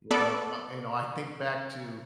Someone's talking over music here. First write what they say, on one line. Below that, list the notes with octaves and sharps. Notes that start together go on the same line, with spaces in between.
You know, uh, you know, I think back to
B3 A4 B4 D5